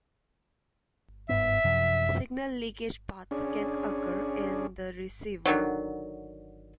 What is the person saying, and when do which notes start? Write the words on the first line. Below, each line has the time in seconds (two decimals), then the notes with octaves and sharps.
Signal leakage paths can occur in the receiver.
1.29 G1 G#2 B3 E5
1.64 F#2 C3 F3
3.31 C#4 D4 G#4
5.46 D3 D#3 F#3